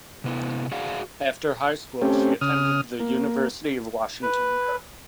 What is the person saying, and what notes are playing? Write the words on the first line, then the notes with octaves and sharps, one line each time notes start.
After high school she attended the University of Washington.
C3 B3 E4
F#4 G#4 D5 F5 F#5
A3 C4 C#4 G4
C#3 D#6 F6
A#3
B4